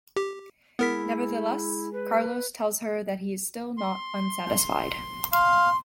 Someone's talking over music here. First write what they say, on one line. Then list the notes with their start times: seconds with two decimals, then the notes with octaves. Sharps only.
Nevertheless, Carlos tells her that he still is not unsatisfied.
0.16 G4
0.79 G#3 B3 E4 G#4 A#4 B6
1.93 B4
3.78 C6
5.32 F5 C6